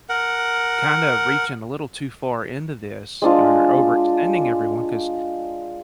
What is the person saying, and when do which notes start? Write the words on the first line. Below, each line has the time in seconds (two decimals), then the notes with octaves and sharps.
kinda reaching a little too far into this, or overextending everyone 'cause
0.09 A#4 F#5
3.22 G#3 D4 F4